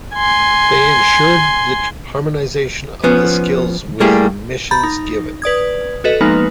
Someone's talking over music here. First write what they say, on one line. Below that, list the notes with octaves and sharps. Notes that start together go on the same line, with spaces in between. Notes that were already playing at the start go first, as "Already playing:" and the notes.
They ensured the harmonization of the skills with the missions given.
G#5 C6
F3 B3 C#4
G3 A3 A#3 E4 G4 G#4
A#5 B5 G6 A6
D#4
B4 D5 D#6 G#6
F#4 A4 B4 D#5
F3 G#3 A#3 B3 D#4 B4